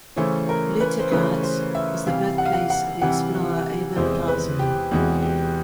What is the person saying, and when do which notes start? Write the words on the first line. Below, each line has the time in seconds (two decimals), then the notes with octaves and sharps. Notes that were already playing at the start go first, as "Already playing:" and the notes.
Lutjegast was the birthplace of the explorer Abel Tasman.
0.16 C#3 E3 A3 C#4 C5
0.49 A#4
0.80 B4
1.00 C5
1.11 C#3 E3 A3 C#4 B4
1.43 C5
1.75 E5
2.06 C3 E3 G3 F5
2.38 F#5
2.46 F5
2.53 F#5
2.70 F#5
3.01 C3 E3 G3 F#5
3.96 E2 C3 E3 G#3 C5
4.28 B4
4.59 G4
4.91 E2 C3 E3 G#3 F#4
5.23 G4